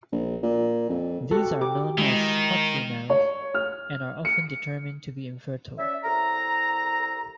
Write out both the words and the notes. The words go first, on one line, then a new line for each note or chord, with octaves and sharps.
These are known as "hot females" and are often determined to be infertile.
A#1
A#2
F2
F#4 G4 A4
G4 D6
D#3 G#3 E4
C#5
F6
C#7
C#4 D5 E5
C2 A4 A#5